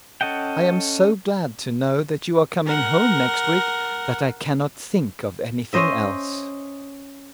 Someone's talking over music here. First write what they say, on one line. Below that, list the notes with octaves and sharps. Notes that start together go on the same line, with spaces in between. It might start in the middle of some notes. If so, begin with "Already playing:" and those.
I am so glad to know that you are coming home next week, that I cannot think of any thing else.
C#4 A4 D#5 F#5 G5
A#4 F#5
C#4 C5 D#5 E5